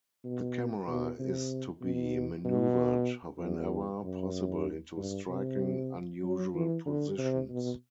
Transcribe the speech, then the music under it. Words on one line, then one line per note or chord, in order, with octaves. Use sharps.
The camera is to be maneuvered, whenever possible, into striking, unusual positions.
B2
B2
C3
B2
B2
E2
F#2
G2
C3
F#3
E3
D3
C3
B2